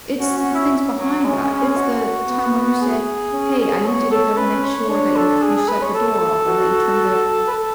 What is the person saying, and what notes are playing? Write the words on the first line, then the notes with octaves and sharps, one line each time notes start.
It's the things behind that. It's the time when you said, "Hey, I need you to go make sure that you you shut the door off or that you turned the,
C#4 F#4
F#4
E4
F#3
G#3 C#4
F#4
B3
G#4
C#4
B3 C#5
A4
C#4 B4
C#5
D4 C#5
A4
G#4
G#4
B4
C#5
A4
F#4
B4
A4